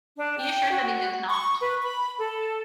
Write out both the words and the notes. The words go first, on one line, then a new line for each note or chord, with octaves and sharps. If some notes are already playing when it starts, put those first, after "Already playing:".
Be assured that he does not!
D4
G5
F#4
C#6
B4
B5
A4